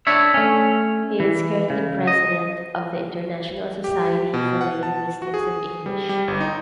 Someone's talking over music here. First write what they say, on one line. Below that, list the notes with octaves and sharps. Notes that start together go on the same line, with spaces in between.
He is currently President of the International Society for the Linguistics of English.
D4 C#5 E5
A3 C#4
E3
C#3
D#5
G4
B2
F#5
A5
F#4
G#4
G3
G3
G1
D#4